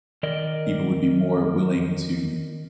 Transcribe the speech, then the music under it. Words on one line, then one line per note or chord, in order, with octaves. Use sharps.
people would be more willing to,
D#3 A#4 D5 D#5